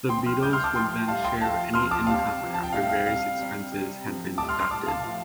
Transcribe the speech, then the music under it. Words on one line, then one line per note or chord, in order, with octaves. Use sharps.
The Beatles would then share any income after various expenses had been deducted.
C3 F3 G5 C6
C6 F6
A2 G3 D6 G6
C6 F6
A5 D6
A2 F3 G5 C6
A2 G3 F5 A5
G5 C6
A2 F3 F5 A5
C3 F3 C6 F6
A5 D6
C3 G3 F5 A5
C3 F3
A5
G5
A2 G3 F5
F5
C3 G3 F5
C3 G3
C3 G3
C3 F3
A2 G3 A5 D6
C6 F6
C6 F6
A2 G3 A5 D6
F5 A5
A2 F3 F5